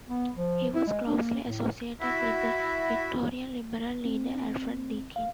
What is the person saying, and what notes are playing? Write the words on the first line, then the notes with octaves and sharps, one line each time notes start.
He was closely associated with the Victorian liberal leader Alfred Deakin.
B3
F3
E4
G#3
D4
A#3
A2
E4 F#4 E5
C4
F5